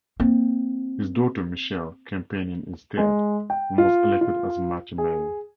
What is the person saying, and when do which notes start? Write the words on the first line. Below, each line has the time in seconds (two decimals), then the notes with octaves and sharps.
His daughter Michelle campaigned in his stead and was elected as Mati mayor.
0.20 A#3 C4
2.97 G#3
3.50 G5
3.78 F4
4.21 F4
4.98 G#4